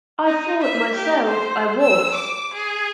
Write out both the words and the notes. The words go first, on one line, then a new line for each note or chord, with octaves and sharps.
I thought myself I was.
D#4
E5
G4
C5
E6
D6
G#4